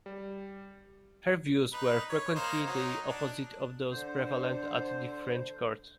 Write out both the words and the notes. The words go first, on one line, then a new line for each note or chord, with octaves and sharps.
Her views were frequently the opposite of those prevalent at the French court.
G3
D#4 B4
C#5
A#3 D#4 C5
F#3 D#4
D4
D3 C5